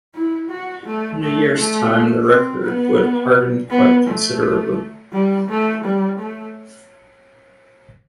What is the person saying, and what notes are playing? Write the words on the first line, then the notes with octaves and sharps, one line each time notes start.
In a year's time, the record would harden quite considerably.
E4
F#4
A3
A3
A3
C4
B3
B3
A3
G3
A3
G3
A3